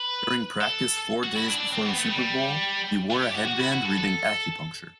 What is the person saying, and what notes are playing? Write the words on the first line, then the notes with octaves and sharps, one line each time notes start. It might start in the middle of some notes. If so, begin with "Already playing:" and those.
During practice four days before the Super Bowl, he wore a headband reading "Acupuncture".
Already playing: B4
A4
F#4
E4
D4
D4
C4
B3
A3
G3
A3
G4
F#4
F#4
E4
F#4
A4
A4